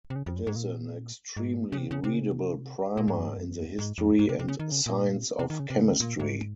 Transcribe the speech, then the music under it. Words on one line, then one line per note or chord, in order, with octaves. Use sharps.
It is an extremely readable primer in the history and science of chemistry.
C3
C#3
F2
F#2
G#2
A#2
G#2
C#3
C3
C#3
C3
C#3
C3
A#2
G#2
F#2
G#2
F#2
G#2
F2
G#2
C3
C3
C#3
D#3
C#3
A#2
C3
D#3
C#3
C3
C#3
A#2
G#2